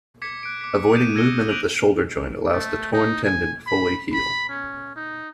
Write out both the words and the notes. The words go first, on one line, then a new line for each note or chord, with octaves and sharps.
Avoiding movement of the shoulder joint allows the torn tendon to fully heal.
D6 G#6 B6 C#7
F#6 D7
D6 B6
D#6 G6 D#7 E7
E6 G#6 A#6 C#7 G7
F#6 B6 D7 D#7 F7 F#7
A3
D#4
G#5
B5
B5
C#4
D#4